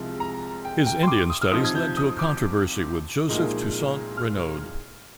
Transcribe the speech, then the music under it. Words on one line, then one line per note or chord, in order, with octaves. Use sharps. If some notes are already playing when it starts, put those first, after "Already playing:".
His Indian studies led to a controversy with Joseph Toussaint Reinaud.
Already playing: C2 C3 F3 G#3
A#5
G5
G5
C6
D6
D#6
F6
C3 F3 C4 D#4 D#6
G#6
G6
D#6
D6
C2 A#2 F3 G#3 D#4
F6